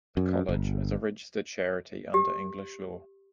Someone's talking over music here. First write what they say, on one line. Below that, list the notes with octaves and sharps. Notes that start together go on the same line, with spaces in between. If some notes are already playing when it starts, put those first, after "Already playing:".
The college is a registered charity under English law.
F#2
G1
G4